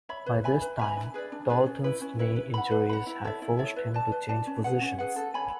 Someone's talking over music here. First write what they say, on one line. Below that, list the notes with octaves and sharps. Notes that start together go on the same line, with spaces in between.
By this time, Daulton's knee injuries had forced him to change positions.
C#5 E5 B5
B4
E5 G#5 B5
B4
E5 G#5 B5
D4
G#4 B4 D5
D4
G#4 B4 D5
C#4
E4 B4
C#4
E4 B4
B4
F#5 B5
B4
F#5 B5
E4
A4 C#5 E5
E4
A4 C#5 E5
B4
D5 A5
B4
D5 A5
C#4
G#4 B4 F#5
C#4
G#4 B4 F#5
A4
C#5 G#5 B5